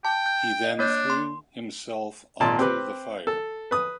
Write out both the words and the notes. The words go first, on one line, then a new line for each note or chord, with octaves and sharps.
He then threw himself onto the fire.
G5 A5
G6
D#5
A#3 D4 C#5 G6
C6
G#1 A#2 A5
C4 G4 B4
A4
B4 D#6